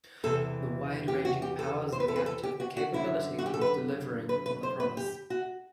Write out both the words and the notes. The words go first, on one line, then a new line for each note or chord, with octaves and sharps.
The wide-ranging powers in the Act have the capability of delivering on the promise.
E2 C3 E3 A4
G4
F#4
G4
A4
C5
B4
A4
B4
A4
G4
F#4
F#4
F#2 D3 E4
F#4
G4
A4
B4
B4
B4
C5
B4
G4
F#4